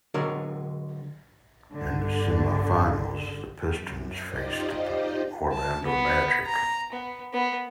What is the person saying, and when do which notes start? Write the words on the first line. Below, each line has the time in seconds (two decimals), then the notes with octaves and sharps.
In the semifinals, the Pistons faced the Orlando Magic.
0.14 D3 F#3 G#3 A#4
1.74 G1 D3
3.71 F#2
4.26 D#4 F4 G4 C5 D5 D#5
5.52 A5
5.85 B3
6.46 A#5
6.92 B3
7.33 B3